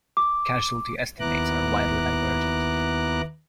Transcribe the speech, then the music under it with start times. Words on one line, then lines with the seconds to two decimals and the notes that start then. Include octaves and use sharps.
Casualty estimates are widely divergent.
0.17 D6
1.20 D#2 B3 E4 A#5 D6 F#6